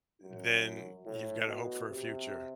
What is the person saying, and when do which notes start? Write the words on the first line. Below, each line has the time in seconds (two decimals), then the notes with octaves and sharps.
then you've got a hope for a future.
0.23 F#2
1.06 A2
1.46 B2
1.88 C3